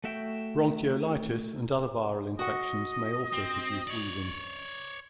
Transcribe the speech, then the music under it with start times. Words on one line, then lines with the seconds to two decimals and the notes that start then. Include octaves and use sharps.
Bronchiolitis and other viral infections may also produce wheezing.
0.04 A3 F#4 E5 G5
2.39 F#4 D#5 F#5
3.33 C4
3.87 C#5 D5